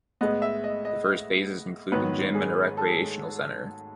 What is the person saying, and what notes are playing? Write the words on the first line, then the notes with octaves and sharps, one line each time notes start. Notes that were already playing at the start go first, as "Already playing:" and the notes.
The first phases included a gym and a recreational center.
A2 G#3 B3 D#5
E5
D#5
D#5
G#2 D#3 F#3 B3 B4
G#4
A4
G#4